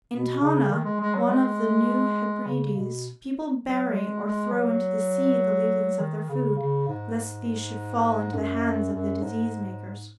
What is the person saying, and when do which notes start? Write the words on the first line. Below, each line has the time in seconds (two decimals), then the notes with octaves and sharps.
In Tana, one of the New Hebrides, people bury or throw into the sea the leavings of their food, lest these should fall into the hands of the disease-makers.
0.12 B2
0.40 C#3
0.71 D#3
0.85 G#3
1.00 G#3
1.14 F#3
1.29 G#3
2.46 C#3
2.76 B2
3.64 F#3
3.94 G#3
4.23 G#3
4.52 F#3
5.99 D#3
6.29 C#3
6.58 C#3
6.88 G#2
8.34 F#2
8.93 F#2
9.23 G#2